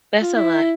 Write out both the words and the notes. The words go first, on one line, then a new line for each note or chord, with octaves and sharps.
That's a lot.
F4
E4